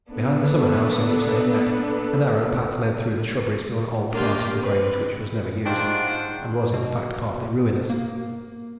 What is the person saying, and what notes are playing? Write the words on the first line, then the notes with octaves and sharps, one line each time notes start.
Behind the summer-house in which they had met a narrow path led through the shrubberies to an old part of the Grange which was never used, and was, in fact, partly ruinous.
A#3 B3 D4 A4
A#3 D4 F4 G4
C4 B4
D#3 G#3 D4 D#4 F4 G4 C5 F#5
B2
A#3